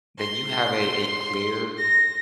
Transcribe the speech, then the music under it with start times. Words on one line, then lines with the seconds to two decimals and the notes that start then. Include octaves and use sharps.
then you have a a clear,
0.18 C6
1.78 A#6